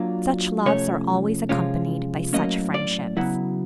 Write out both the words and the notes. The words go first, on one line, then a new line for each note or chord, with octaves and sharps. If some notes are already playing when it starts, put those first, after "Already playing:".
Such loves are always accompanied by such friendships.
Already playing: F#3 A#3 D4 F4
C3 F3 A3 C#4 C#5
C3 F3 G#3 C#4 F4
A2 F#3 A#3 C#4 D#5
D5
C#3 F#3 B3 E4